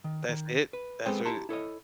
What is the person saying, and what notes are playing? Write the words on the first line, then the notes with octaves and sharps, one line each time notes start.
That's it? That's really
D#3
D#3
B4
G#3 B3 C4 A4 C5 G5
E4 G4 A5 A#5 C6
E4 A4 C#5 D#5